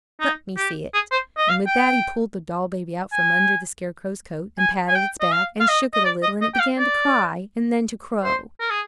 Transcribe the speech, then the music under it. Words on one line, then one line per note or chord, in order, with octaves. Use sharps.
"Let me see it!" And with that he pulled the doll-baby out from under the Scarecrow's coat, and patted its back, and shook it a little, and it began to cry, and then to crow.
D#4
G4
G#4
C5
D#5
F5
G5
G#5
G#5
G#5
G5
D#5
F5
F5
D#5
D#5
D5
D#5
D#5
G5
F5
D5
C5
A#4
G#4